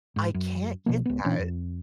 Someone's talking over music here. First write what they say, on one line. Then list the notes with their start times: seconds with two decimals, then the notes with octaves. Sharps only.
I can't get that.
0.16 G#2
0.34 F#2
0.86 B1 B2 F3 A#3
1.06 C#2 B3
1.25 A#2 E3 C#4 D4
1.39 F2